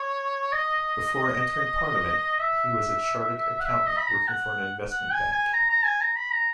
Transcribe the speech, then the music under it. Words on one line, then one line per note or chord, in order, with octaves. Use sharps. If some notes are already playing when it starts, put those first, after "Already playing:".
Before entering Parliament, he was a Chartered Accountant working for an investment bank.
Already playing: C#5
D#5
E5
F#5
E5
D#5
B5
A#5
F#5
F#5
G#5
G#5
A#5
A#5
G#5
A#5
B5
A#5